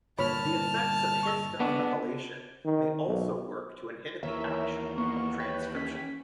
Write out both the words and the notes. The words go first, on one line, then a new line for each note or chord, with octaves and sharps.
The effects of histone methylation may also work to inhibit the action of transcription.
G1 A#2 C#5 A5 B5 F6
C#6 E6
B3 D4
D#3
B1
D#2 E3 A#4 C#5 E5
A#3 B3 C#6
B4 C#5 G5
C#4 B6